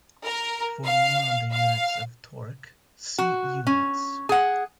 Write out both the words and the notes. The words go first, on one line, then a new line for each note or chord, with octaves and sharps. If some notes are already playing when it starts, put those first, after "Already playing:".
For more on the units of torque, see Units.
A#4
F5
F5
F#4
C#4
G#4 F#5